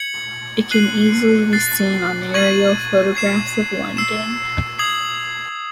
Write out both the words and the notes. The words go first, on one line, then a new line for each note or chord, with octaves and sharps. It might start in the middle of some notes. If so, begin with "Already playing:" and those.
It can easily be seen on aerial photographs of London.
Already playing: G#6 C#7 F#7
F#6 C7 D#7 F#7
F#6 A6 C7
C#6 G#6 D#7 F#7
G#6 C7 E7
E6 C7 E7
D#6 G#6 C7 F#7